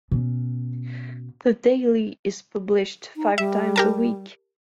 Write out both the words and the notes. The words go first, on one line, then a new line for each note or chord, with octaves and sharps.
The daily is published five times a week.
B2 C#4
D#4
G3 E5
G4 A#4 A5